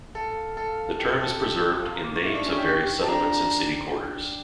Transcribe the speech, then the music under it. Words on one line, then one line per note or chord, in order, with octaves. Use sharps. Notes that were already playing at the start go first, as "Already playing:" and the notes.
The term is preserved in names of various settlements and city quarters.
A4 F5
A4
G4
A4
G4
F4 A5
A#5
D6
C#6
E4
D4
C#4
G4
G4
A5
D4 A#5